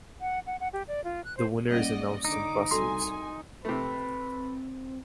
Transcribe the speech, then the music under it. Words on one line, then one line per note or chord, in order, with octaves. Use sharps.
The winner is announced in Brussels.
F#5
F#5
F#5
G4
D5
F4
F#6
C5
G3 A#3 C#4 D5 D#5 F#5
D3 D#4 D6
C2 F#4 A4 G#5 C6
C3 A3 C4 B4